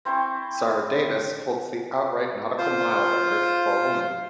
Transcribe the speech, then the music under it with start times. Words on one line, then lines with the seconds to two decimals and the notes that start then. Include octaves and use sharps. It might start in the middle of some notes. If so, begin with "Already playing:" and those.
Zara Davis holds the outright nautical mile record for a woman.
0.05 C4 E4 G5 C#6
2.58 F4 C5